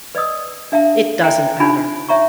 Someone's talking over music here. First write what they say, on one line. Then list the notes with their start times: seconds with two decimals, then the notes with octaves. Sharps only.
It doesn't matter.
0.15 B4 D5 D#5 D#6 E6
0.72 D4 E5 F5 A5
1.24 E5 G5 G#5 A#5
1.60 D4 D#4 F4 G4 G#5 B5
2.09 D#4 C#5 E5 A#5 C#6